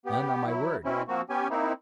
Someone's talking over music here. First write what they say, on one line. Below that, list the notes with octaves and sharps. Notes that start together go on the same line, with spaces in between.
None, on my word!
B3 G4
F#3 E4
B2 C4 C#4 E4
F3 A#3 C4 F#4
B3 C#4 G4 G#5
A#3 C4 D#4 E4